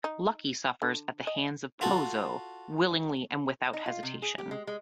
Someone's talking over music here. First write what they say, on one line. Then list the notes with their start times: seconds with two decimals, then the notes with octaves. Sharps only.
Lucky suffers at the hands of Pozzo willingly and without hesitation.
0.04 D#4
0.82 D3
1.27 D#5
1.81 F4 F#4 A4
3.73 D#4
3.86 F4
4.03 C3
4.22 G#4
4.38 G4
4.51 G#3
4.67 G#3